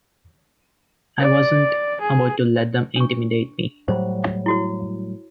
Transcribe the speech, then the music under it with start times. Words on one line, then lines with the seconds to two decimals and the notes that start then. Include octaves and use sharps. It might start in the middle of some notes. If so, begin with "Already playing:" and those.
I wasn't about to let them intimidate me.
1.19 D5
2.01 G#4
2.96 D4 C#6
3.88 A2 F#3 G3 C5
4.46 E4 F#4 C#5